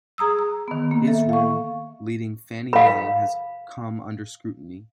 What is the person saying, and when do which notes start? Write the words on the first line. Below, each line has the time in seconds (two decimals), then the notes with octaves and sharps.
His role leading Fannie Mae has come under scrutiny.
0.18 G#4 A#5 D#6 E6
0.39 A#5
0.68 D#3 B3
0.91 A#3
1.07 A4 E5
1.29 F5 C#6
2.73 F5 B5